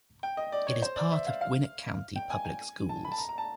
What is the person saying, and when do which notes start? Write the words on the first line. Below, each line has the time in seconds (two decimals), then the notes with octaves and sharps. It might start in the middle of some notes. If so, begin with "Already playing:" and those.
It is a part of Gwinnett County Public Schools.
0.23 G5
0.37 D#5
0.52 D5
0.67 C#5
0.82 C5
0.96 D5
1.12 E5
1.27 F5
1.41 F5
2.16 G5
2.30 G#5
2.45 G#5
2.89 A5
3.05 B5
3.12 A5
3.18 A#5
3.29 A#5
3.38 A5